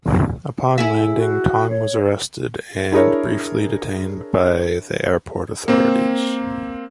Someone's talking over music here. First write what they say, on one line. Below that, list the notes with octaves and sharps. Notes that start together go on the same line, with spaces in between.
Upon landing, Tong was arrested and briefly detained by the airport authorities.
E4 G#4 E5
F#4
C#5
D4 E4 G#4 A#4 C#5
A#3 C4